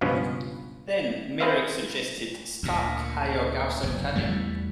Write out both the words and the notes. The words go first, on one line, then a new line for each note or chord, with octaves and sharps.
Then Merrick suggested Stark hire Garson Kanin.
C#2 G2 B2 F3 B3 C#4
C4 G#4 B4 C5 E5 F5
D2 A#2
F#1
E2 E3 G3 A3